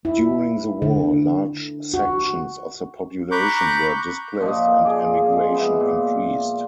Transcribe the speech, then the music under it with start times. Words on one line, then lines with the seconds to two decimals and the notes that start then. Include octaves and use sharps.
During the war, large sections of the population were displaced and emigration increased.
0.05 E4
0.82 D3
1.94 F#4
3.31 A#5 B5 C#6 D6 F#6 G6
4.40 A#2 F3 D#5
4.85 G#4 D5
5.33 G#3
5.54 B3 E5
5.80 A#2